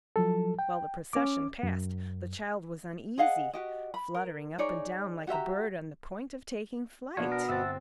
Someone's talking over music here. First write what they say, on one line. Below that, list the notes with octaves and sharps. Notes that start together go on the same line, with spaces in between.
While the procession passed, the child was uneasy, fluttering up and down, like a bird on the point of taking flight.
F3 F#3 A4
G5
C#4 D6
F#2
G#4 D#5 F5 F#5
F#4 G4 D#5
B5
A#4
D#4 G#4 C#5 D5
F#4 G4 E5 A#5
B2 F3 A#3 B3 D4 C#5
A#4
G1 C4 E5 F#5 A5